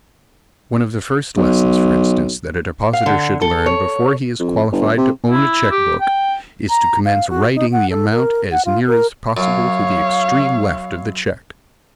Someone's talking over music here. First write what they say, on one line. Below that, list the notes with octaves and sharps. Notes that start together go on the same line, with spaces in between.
One of the first lessons, for instance, that a depositor should learn before he is qualified to own a check-book is to commence writing the amount as near as possible to the extreme left of the check.
B1
F5
D3
A4
C#5
F2
G1
C3
E4
G4
G5
A#5
F5
F#4
D#4
F#5
A4
A#4
F#5
F4
A#4
F#2 C#5 F5